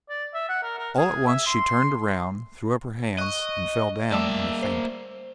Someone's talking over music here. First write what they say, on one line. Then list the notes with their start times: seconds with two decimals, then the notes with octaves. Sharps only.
All at once she turned round, threw up her hands, and fell down in a faint.
0.09 D5
0.34 E5
0.49 F#5
0.63 A#4
0.78 A#4
0.98 G#4
1.27 E5
1.46 C6
3.18 D#5 C#6 F#6
4.12 G3 A3 A#3 D5 E5
4.62 C5